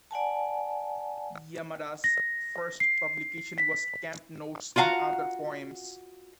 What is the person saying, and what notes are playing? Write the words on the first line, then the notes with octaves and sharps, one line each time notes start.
Yamada's first publication was Camp Notes and Other Poems.
D5 F#5 G#5 A5
A#6
C7
B6
F4 F#4 F5 F#5 A#5